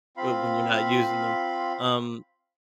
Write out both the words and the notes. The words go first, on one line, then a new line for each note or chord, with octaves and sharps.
But when you're not using them, um
C4 F4 F5 B5